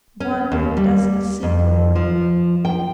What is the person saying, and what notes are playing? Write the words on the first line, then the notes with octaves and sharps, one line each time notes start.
One doesn't see clearly.
C#4
D#2
G3
F2
F3
G5